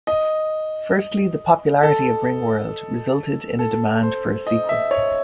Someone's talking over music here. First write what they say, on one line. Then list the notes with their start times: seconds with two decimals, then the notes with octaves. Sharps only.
Firstly, the popularity of "Ringworld" resulted in a demand for a sequel.
0.07 D#5
1.83 A4
3.59 A4
4.03 C5
4.47 D#5
4.69 E5
4.91 C#5